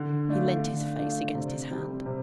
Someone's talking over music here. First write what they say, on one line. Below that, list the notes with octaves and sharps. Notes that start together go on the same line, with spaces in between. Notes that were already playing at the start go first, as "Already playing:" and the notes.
He leant his face against his hand.
Already playing: D3
A3 D4 F4
D3
A3 D4 F4
C3
G3 C4
C3